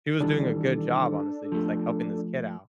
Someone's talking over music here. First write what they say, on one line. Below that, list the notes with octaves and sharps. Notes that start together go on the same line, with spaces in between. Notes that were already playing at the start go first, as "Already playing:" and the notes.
she was doing a good job, honestly, just, like, helping this kid out,
D#3 E3 G3 D4 A4
F3 A3